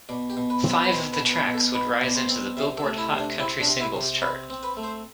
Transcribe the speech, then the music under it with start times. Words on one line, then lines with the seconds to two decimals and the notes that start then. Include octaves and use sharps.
Five of the tracks would rise into the Billboard Hot Country Singles chart.
0.09 B2 D5
0.30 G4
0.37 B2
0.50 B4
0.64 C4
0.71 B4
0.84 B4
0.92 B2 C5
1.13 B4
1.19 B2
1.33 B4
1.47 B2
1.54 A4
1.74 B2 B4
2.01 B2 D5
2.15 C5
2.29 C4
2.57 C3 E5
2.77 A4
2.84 A3
2.98 E4
3.12 C3
3.18 D4
3.39 C4 E4
3.60 D4
3.67 C3
3.80 E4
3.94 C3
4.01 G4
4.22 C4 B4
4.50 C4
4.63 B4
4.77 A3
4.83 C5